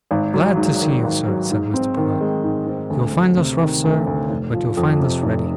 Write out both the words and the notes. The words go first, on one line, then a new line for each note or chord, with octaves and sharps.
'Glad to see you, sir,' said Mr. Peggotty. 'You'll find us rough, sir, but you'll find us ready.'
G#1
F#3
G#2
D#3
G#1
F#3
G#2
C4
D#3
G#3
G#2
C4
D2
D2
C3
D#3
D2
D2
F1
F3
F2
C3
F1